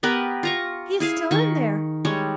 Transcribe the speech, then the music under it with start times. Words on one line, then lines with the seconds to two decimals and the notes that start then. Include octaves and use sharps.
'He is still in there!
0.03 B3 G4 A#4 B4
0.43 F4 A#5 C#6
1.00 E4 G#4 F5
1.31 D#3 C#6
2.05 G3 G#3 C#5